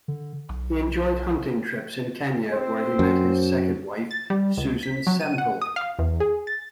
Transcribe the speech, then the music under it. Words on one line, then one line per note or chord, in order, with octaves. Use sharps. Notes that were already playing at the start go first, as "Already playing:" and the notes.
He enjoyed hunting trips in Kenya, where he met his second wife, Susan Semple.
D3
B1
C4 C5
F#2
A6
G3
C#2
B6
F#3
D#7
F#5
D#6
F5
E2
G#4
A6